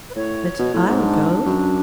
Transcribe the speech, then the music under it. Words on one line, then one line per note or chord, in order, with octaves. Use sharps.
But I'll go.
B4
A2 C#5
B2
A2
G#2
D4
F#2